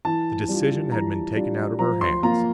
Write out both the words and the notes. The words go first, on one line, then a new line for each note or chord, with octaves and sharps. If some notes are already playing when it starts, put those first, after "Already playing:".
The decision had been taken out of her hands.
E3 A5
G3 D4 F4
E3 A#5
G3 D4 F4
F3 A#5
C6
A#3 F4 A#5